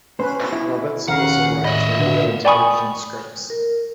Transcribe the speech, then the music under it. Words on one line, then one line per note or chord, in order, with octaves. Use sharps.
Roberts also writes radio and television scripts.
B3 C#4 B4 C5
E4
D#2 C#3 C#4 A#4 F5 F#5
A2 D#5 E5 B5
D3 B3
D5 G5 G#5 B5 C#6 D#6
A#4